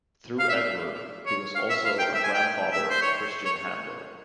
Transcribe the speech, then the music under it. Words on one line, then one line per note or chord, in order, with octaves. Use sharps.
Through Edvard, he was also a grandfather of Christian Hambro.
F5
E5
C#5
F5
E5
F5
G5
E5
G#5
G5
E5
C5
C#5
C#5